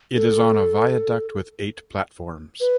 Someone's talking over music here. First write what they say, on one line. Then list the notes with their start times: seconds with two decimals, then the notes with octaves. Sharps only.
It is on a viaduct with eight platforms.
0.16 A4
2.60 B4